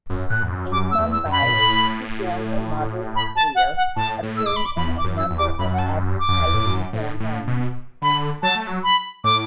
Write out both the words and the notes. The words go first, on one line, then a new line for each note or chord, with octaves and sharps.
In Mumbai, she began her modelling career, appearing in a number of advertising campaigns.
F#2
A2 F#6
E2
F#2
F#2 D6
E6
E2
E6
F#2
B5
B2
A2
B5
A5
F#5
F#5
A2 A5
A2
E6
D6
B5
D6
E2 B5
D6
F#2
E6
E2
D6
F#2 B5
F#5
A5
D6
F#2
E2
A2
F#2
A2
A2
B2
D3 B5
F#3 A5
A3
F#3
B5
A2 D6